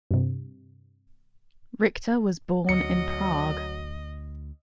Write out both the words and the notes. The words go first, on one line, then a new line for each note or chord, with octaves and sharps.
Richta was born in Prague.
G2 C3
D2 F#3 D#5 C#7